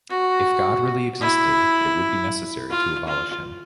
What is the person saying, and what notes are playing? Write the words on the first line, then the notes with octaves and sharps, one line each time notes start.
If God really existed, it would be necessary to abolish him.
F#4
E4
F4
F4